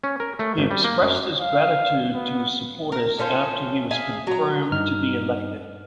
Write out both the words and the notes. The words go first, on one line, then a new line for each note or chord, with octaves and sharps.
He expressed his gratitude to his supporters after he was confirmed to be elected.
C#4
A#4
A3
G#1
G3
A#3
F#2
F5
B3
A#4
A3 C#4 F4 C5
G#4 E5 F5
F#3 A#5
G2 D#4 F6